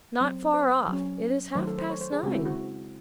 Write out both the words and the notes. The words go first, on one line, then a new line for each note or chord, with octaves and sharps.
'Not far off--it is half-past nine.
F#3 C4
C5
F#3 C#4
D#3 F#3 A3 C5
A4
C5
C#5
C5
G#4
C#3 G#3 C4 F#4
E4
F#4